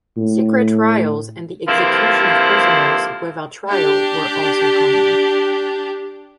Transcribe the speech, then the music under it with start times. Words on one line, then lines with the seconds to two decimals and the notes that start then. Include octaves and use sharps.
Secret trials and the execution of prisoners without trial were also common.
0.17 A2
1.68 G2 D3 F3 A#3 C4 E4
3.69 D4 G4